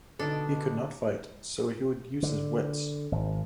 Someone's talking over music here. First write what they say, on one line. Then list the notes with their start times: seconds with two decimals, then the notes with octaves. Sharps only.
He could not fight, so he would use his wits.
0.19 B2 D3 D4 D#4 A4 D7
2.23 D3
3.12 G#1